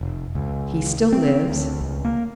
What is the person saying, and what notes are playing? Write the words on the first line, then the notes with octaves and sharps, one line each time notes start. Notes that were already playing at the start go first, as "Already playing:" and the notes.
"He still lives."
F1
C#2
C4
D2
C#2
A#3